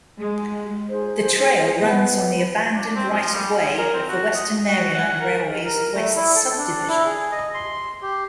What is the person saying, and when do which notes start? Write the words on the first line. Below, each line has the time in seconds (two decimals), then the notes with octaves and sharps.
The trail runs on the abandoned right-of-way of the Western Maryland Railway's West Subdivision.
0.17 G#3
0.90 D#4 G#4 C5
1.82 B3
2.74 D4
2.95 C4
3.12 F3
3.33 G3
3.59 G#4
3.78 A#4
3.94 C4
4.09 F#4
4.34 D#5
4.68 F#4
4.94 F#5
5.21 A#4
5.65 A#4
5.94 A3
6.15 E4
6.35 A4
6.58 D4
6.88 E4
7.05 G#4
7.32 D#5
7.54 C6
8.02 G4